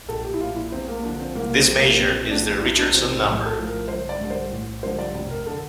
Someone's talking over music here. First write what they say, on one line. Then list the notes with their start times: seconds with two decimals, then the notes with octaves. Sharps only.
This measure is the Richardson number.
0.09 A#1 A4
0.24 G4
0.34 E4
0.40 A#2 F3 F4
0.56 E4
0.72 E2 C4
0.88 A#3
1.03 D3 F3 D4
1.19 C4
1.35 C2 A#3
1.56 C4
1.67 C3 F3
1.78 A#3
1.99 A#1 C4
2.23 C4
2.30 A2 F3 D4
2.62 E2 E4
2.78 D4
2.93 C3 E3 C4
3.09 C4
3.25 A1
3.46 A4
3.57 A2 F3
3.67 A#4
3.88 G1 C5
4.09 D5
4.20 G2 D3
4.30 C5
4.51 A1
4.83 G2 D3 F3 C5
4.98 D5
5.15 F1
5.30 A#4
5.46 D3 A4